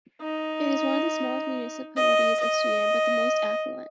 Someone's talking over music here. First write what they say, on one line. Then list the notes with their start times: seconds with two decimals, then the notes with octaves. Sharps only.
It is one of the smallest municipalities of Sweden, but the most affluent.
0.21 D#4
1.96 D#5
2.40 D#5